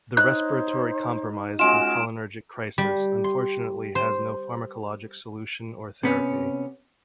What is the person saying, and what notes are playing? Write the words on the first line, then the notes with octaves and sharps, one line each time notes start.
The respiratory compromise from cholinergic crisis unfortunately has no pharmacologic solution or therapy.
D#4 C5 C#5 F#6
G#3 C#4 F4 F#4 G#5 D7 E7
G3
C6
C5
C3 B3 C#4